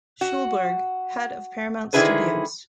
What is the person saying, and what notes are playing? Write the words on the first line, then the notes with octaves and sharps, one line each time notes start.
Schulberg, head of Paramount Studios.
F#4
D3 D#3 E4 G#4 B4 C5